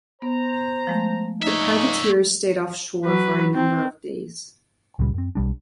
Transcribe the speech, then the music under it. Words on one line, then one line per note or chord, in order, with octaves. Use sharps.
The privateers stayed off shore for a number of days.
B3 C5 A#5
F3 G#3 A3
A#2 D4 D#4 C#5 E5
F#3 B4
C4
C#2 A#2 C#3 G3
F#2 C4
B1 G3 D4